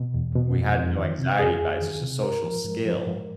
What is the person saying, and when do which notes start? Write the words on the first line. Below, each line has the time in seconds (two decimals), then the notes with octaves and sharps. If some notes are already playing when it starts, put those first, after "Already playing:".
We had no anxiety about it, it's just a social skill.
Already playing: B2
0.14 E2
0.35 B2
0.56 F2
0.77 F2
0.97 D#3
1.18 C3
1.39 F2 G#4
1.61 F2
1.81 D#3
2.01 C3
2.23 G#2 A#4
2.44 F3
2.65 G#2
2.85 F3
3.06 G#2